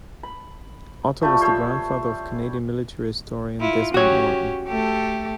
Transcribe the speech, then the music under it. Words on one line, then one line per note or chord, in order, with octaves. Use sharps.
Otter was the grandfather of Canadian Military historian Desmond Morton.
B5
F3 G3 A3
C5 C#5 E6
E4 F4
C#4 F#4 G4 C#5
A3 G4 A4